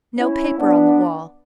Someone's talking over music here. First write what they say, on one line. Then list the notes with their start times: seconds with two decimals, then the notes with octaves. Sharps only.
No paper on the wall!
0.18 C#4 E4
0.58 B3 D4